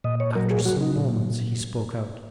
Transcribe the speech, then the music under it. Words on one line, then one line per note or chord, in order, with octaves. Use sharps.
After some moments he spoke out.
A#2 D#5
C#5
F#3 A#4
G#4
F#3 F#4
D#4
A#2